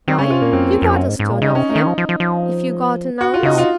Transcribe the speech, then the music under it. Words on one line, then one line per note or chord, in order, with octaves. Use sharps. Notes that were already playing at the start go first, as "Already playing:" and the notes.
"Why, you got a stone of him, if you got an ounce."
D#3 C4
C#3 C#4
C3 F4
A#2 A#3
F#2 C4
F2
F2
F#2
G#2
G#2
A#2
C#3 D#4
C3 C#4
D#4
D#3
F3
F3
F3
F3
F#4
F4
C#3 D#4
C3 F4